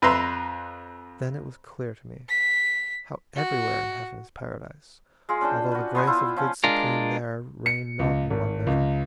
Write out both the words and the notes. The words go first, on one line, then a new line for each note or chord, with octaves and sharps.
Then it was clear to me how everywhere In heaven is Paradise, although the grace Of good supreme there rain not in one measure.
F2 B4 E5 A#5 C6
B6
F#4
G#3 F4 G#4
C#4 D4 C5 G5
F#4 B4
B3 C5 G#5 D#6
E4 F4
F3 C#4
G#3 D4 F4 A#4
C#7
C#2
G#1
C#2